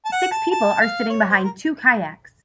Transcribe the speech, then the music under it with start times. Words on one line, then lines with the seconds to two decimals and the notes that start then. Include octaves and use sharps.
Six people are sitting behind two kayaks.
0.05 A5
0.12 F#5
0.31 A5
0.51 A5
0.81 F5
1.10 C#5
1.29 C5
1.44 A#4